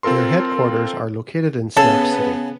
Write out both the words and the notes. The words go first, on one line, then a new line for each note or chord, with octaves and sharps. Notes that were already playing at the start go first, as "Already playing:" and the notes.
Their headquarters are located in Snap City.
C4 F4 A4 A#4 C6
C#3 B3 A4